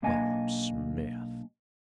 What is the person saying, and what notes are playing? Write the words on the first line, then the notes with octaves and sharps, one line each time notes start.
Bob Smith!
B1 A#3 D4 D#5 G#5